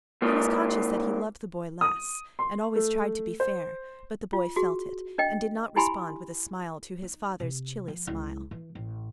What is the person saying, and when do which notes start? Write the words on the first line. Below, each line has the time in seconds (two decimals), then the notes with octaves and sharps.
He was conscious that he loved the boy less, and always tried to be fair; but the boy felt it, and did not respond with a smile to his father's chilly smile.
0.22 G#2 A#3
1.81 D#6
2.39 C6
2.76 A3
3.40 C5
4.33 F4
4.56 F#4 G#4
5.18 D4 D#5 G5
5.76 E4 G4 G#5 B5 C6
7.03 D#4
7.40 C3
7.88 F3
8.07 C#2 E4
8.51 E3
8.75 A1